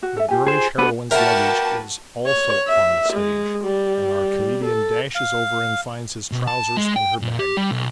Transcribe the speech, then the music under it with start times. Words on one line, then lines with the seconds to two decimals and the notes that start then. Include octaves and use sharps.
The girlish heroine's luggage is also on the stage, and our comedian dashes over and finds his trousers in her bag.
0.03 F#4
0.17 A4 E5
0.28 F4 G4 G#5
0.47 G#4 C5
0.78 B3 D4 F#4 A4 B4
1.11 A#3 F#4 A#4 B4 E5 F#5 G5 A5
2.26 C#5
2.68 E5
3.13 G#3
3.64 G3
4.65 A4
5.15 F5
6.32 B2
6.47 A5
6.77 G#3
6.96 G5
7.21 A#2
7.39 G4
7.57 G3
7.71 B1